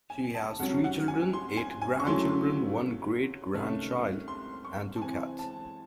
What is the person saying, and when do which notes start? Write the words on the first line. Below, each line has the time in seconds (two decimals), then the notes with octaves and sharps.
She has three children, eight grandchildren, one great-grandchild, and two cats.
0.10 G#5
0.35 A5
0.59 C2 C3 F#3 C#4 F#5
0.84 F#5
1.08 G#5
1.33 C6
1.57 G#5
1.82 G#5
2.00 C#6
2.07 C#3 F#3 A3 C#4 E4 C6
3.54 C2 C3 D#3 A3 C#4
4.28 C6
4.65 C#6
4.96 A5
5.02 C3 E3 C4 G#5
5.39 A5